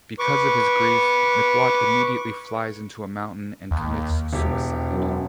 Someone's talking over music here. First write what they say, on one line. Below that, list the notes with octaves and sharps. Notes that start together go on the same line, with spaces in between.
Because of his grief, McWatt immediately flies into a mountain and commits suicide.
B4 C#6 D6
D#2
E1 G4
F#2